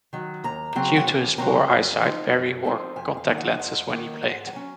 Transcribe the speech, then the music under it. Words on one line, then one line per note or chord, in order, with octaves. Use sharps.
Due to his poor eyesight, Berry wore contact lenses when he played.
D#3 F#3
D#2 A#5
C#3 F#3 C4
F#5
D#2 G#5
C#3 F#3 C4 A#5
F#2
F3 C4 D#4
F#2
F3 C4 D#4
F2 G#5
F5
D#3 A#3 D#4
F#5
F2 F#5
D#3 A#3 D#4
G#2 F#5
F#5
F#3 C#4 G#5